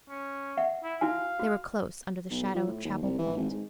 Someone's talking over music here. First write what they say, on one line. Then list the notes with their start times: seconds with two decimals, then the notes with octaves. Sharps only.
They were close under the shadow of Chapel Point.
0.09 C#4
0.57 E5 F#5
0.83 E4
1.01 E4 F#4 F5 G#5
1.39 F#4
2.31 B1
2.54 F3
2.67 A2
2.85 D#2
3.02 C2
3.18 E3
3.37 G#1
3.50 G#2